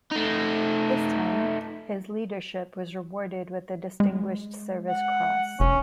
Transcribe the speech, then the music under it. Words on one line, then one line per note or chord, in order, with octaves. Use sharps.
This time, his leadership was rewarded with the Distinguished Service Cross.
A3 D#4
G#3
F#5
F1 C#4